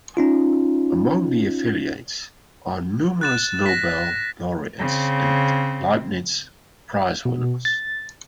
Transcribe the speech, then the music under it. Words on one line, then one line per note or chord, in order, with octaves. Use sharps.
Among the affiliates are numerous Nobel laureates and Leibniz Prize winners.
C#4 D#4 F4
F#6 A6 E7
A#6 B6
C#3 C4
B2
A6